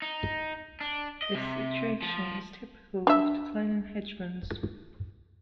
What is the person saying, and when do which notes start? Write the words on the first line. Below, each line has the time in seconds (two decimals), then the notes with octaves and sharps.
This situation is typical of declining hegemons.
0.02 D#4
0.81 D4
1.22 D#5
1.35 C3
2.02 F3
3.07 D4 E5